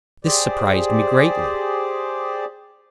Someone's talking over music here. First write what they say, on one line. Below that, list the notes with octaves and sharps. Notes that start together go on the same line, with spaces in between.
This surprised me greatly.
G4 G#4 C5 D5